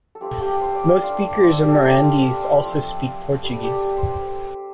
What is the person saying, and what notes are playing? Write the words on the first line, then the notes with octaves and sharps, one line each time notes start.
Most speakers of Mirandese also speak Portuguese.
A4
A3 C4 F4 G4
A4
G4
G4
C5
D5
F5
A3 D4 F4 F5
D5
D5
C5
A4
G4
A4
A3 F4 G4
F4
D5
C5
F3 A3 C4 F4
G3 F4 A4
G4
A4
C5
C5